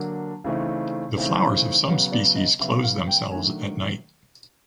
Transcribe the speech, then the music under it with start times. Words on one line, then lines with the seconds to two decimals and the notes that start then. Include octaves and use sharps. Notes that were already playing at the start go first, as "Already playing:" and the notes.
The flowers of some species close themselves at night.
Already playing: D3 F#3 A#3 D4
0.44 C#3 E3 A3 C4 D#4
1.16 C#3 E3 A3 C4 D#4
1.88 C#3 F#3 B3 C#5
2.12 D5
2.36 D#5
2.59 C#3 F#3 B3 E5
2.83 F5
3.08 G5
3.31 D#3 F#3 A3 D4 G#5